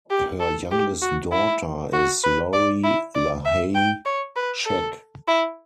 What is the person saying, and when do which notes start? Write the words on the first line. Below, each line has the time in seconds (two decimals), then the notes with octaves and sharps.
Her youngest daughter is Lori LaHaye Scheck.
0.10 G4
0.40 A4
0.71 G4
1.02 F#4
1.32 E4
1.93 F#4
2.24 B4
2.53 D5
2.84 E4
3.15 D5
3.45 E5
3.75 G5
4.06 C#5
4.36 B4
4.66 A4
5.27 E4